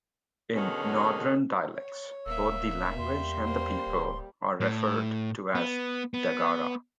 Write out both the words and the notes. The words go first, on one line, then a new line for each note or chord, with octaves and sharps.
In northern dialects, both the language and the people are referred to as Dagara.
B2 D3 D#3 F#3 C#4 G#4
C#5
D#1 A#3 E5 E6
E2 G3 C6
A#3 C5
D1
A2
B3
B3